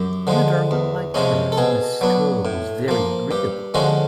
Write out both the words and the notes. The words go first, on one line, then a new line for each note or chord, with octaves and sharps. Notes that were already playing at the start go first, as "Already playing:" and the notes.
Emma Darwin liked her, Miss Cobbe was very agreeable.
Already playing: F#2 G4
D3 F3 G#3
E2
C3 F3 G#3 C#4
A4
B2 G#4
F#3 B3 D4
A2
F3 A#3
G2 G4
D3 F3 G#3 C#4 F#4